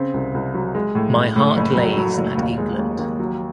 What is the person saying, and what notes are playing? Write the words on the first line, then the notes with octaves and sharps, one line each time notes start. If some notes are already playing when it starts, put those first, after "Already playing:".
My heart lays at England.
Already playing: C#3 C4
C2
C2
F#3
G#3
A2
A2
A2
F#1
F#3
F#3
F#1
D#2
G#3
D#2
D#2
F#3